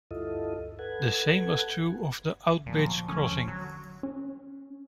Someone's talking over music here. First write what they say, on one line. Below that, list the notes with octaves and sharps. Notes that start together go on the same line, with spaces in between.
The same was true of the Outerbridge Crossing.
D2 G2 E4 F4 A4 D#5
A4 B4 F#5 G#6
D#2 A#2 D3 F3 F#3
C#6
D3 F3 F#3 A3 C#4
E2 C#5 E6
D3 F#3
C#4